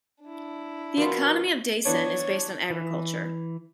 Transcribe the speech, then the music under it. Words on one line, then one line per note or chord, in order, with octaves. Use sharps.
The economy of Daisen is based on agriculture.
D4 E4
F3 B3 F#4 A#4
E3 B3 D4 C#5
E3